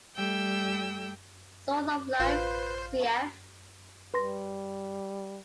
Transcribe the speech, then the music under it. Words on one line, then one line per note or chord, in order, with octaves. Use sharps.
"Source of Life", cf.
G3 A3 G5 E6
A1 F4 B4 C5
G3 B4 C6 A#6